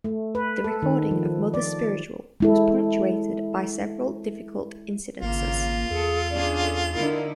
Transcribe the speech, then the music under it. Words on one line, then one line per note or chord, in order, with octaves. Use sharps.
The recording of "Mother's Spiritual" was punctuated by several difficult incidences.
A3
B4
A4
D#3
F3
D5
G#3 E4 A4
G#1 C#3 A#3 F4
E2 G#4 A4
C#4 D4 G#4 D5
A4
D3 D#4 E4 A#4